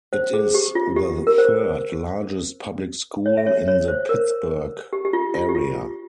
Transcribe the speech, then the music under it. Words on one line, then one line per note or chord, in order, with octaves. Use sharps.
It is the third largest public school in the Pittsburgh area.
C5
G#4
G4
F4
G4
A#4
C5
C#5
E5
C#5
C#5
C5
A#4
G4
G4
F4
F4
G4
F4